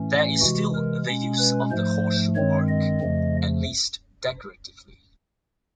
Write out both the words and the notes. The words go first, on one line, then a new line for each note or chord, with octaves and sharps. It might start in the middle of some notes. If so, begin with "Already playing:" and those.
There is still the use of the horseshoe arch, at least decoratively.
Already playing: A2 E3 A3 C#4
C3 E3 G#3 F#4
A#4
B2 G#3 C#4
B4
G#2 F3 A3 C5
G2 D#3 G#3 C4 C#5
D#5
F2 C#3 F3 A3